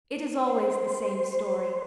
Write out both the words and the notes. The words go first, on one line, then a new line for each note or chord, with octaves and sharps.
It is always the same story.
C5